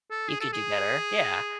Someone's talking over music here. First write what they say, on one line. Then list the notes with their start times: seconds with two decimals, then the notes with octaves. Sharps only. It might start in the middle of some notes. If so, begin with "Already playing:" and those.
"You could do better." Yeah.
0.11 A4
0.29 G#4
0.40 A4
0.53 G#4